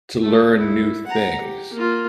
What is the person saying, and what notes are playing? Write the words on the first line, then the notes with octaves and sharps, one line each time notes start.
to learn new things
A3
E4
F#5 A#5
G4
A#3 F4